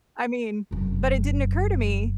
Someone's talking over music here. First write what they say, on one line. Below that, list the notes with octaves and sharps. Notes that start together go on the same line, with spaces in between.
I mean, but, it didn't occur to me,
F1 F#2